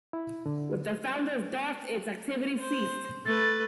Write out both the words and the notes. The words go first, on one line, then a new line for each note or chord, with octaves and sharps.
With the founder's death, its activities ceased.
E4
D3
C5
A3 B4 A6